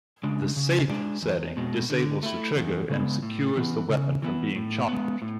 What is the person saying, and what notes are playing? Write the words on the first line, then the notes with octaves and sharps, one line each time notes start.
The "safe" setting disables the trigger and secures the weapon from being charged.
C#3 G#3 D4
C#3
G#3 D4
E2
B2 G#3
D3
A3 E4
E2
C#3 G#3 B3
A2
E3 B3
C#3
E3 B3 E4
A2
G#3 B3
A2